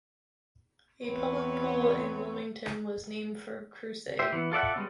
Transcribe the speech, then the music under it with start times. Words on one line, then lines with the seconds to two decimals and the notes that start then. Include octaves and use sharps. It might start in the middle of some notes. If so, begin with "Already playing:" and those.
A public pool in Wilmington was named for Kruse.
1.05 E2 B3 C4 B4 C#5
4.19 G4 C5 E5
4.33 E3 B3
4.52 F4 A4 D5 E5 F#5
4.76 G3 G#3 B3 C#4